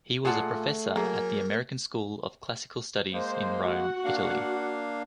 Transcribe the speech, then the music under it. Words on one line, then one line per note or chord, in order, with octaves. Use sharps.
He was a professor at the American School of Classical Studies in Rome, Italy.
A#2 A3 F4 G#4 F#5 A5
F#3 A#3 G#4 A#4
G#3 A#3 C5
F#4 F#5
A#3 D4 F5